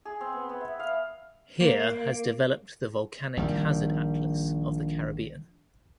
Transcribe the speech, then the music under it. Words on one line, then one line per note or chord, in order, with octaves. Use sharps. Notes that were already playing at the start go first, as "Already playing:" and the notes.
Here has developed the volcanic hazard atlas of the Caribbean.
G#4
C4
B3
B3
E5
F5
A#3
A#1 D#3 G3